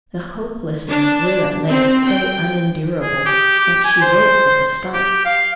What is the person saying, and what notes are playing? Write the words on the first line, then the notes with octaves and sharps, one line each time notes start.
The hopelessness grew at length so unendurable that she woke with a start.
D4
C4
G5
G#4
G4
G4
G#5
C5
G4
F5